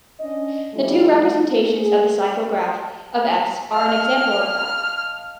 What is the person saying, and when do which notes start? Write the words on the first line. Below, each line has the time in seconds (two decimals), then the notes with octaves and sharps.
The two representations of the cycle graph of S are an example of that.
0.19 C#4 D4 D#5
0.74 F3 G3 A3 E4
1.24 F4
1.71 G#4
3.74 D#5 F5 A5 F6